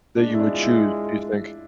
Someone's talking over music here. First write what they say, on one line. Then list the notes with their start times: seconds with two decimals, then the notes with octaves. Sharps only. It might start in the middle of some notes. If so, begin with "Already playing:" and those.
that you would choose, do you think?
0.16 G#3 D4
0.34 E4
0.40 D4
0.54 F4
0.62 E4